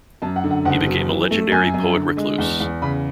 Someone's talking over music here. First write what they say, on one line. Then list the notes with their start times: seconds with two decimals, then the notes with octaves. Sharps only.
He became a legendary poet-recluse.
0.22 F#2 A5
0.36 F#5
0.44 D3
0.51 F#5
0.65 F#1 F#5
0.87 F#3
1.09 E3
1.31 A3
1.52 F#2 G#5
1.74 F#2
1.95 D3
2.17 G#3
2.38 E2
2.60 E2
2.82 C#3 B5